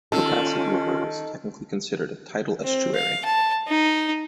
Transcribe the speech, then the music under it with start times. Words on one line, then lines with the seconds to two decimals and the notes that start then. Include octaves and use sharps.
The Pasig River is technically considered a tidal estuary.
0.12 D#3 C#4 F4 A4
2.64 C4
2.95 F5
3.25 A5
3.68 D#4